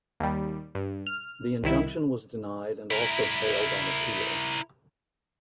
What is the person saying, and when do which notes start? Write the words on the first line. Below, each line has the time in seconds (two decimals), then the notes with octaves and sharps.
The injunction was denied and also failed on appeal.
0.20 D#2 G3
0.75 G2
1.07 F6
1.63 C2 D#3 E4
2.91 E4 A#4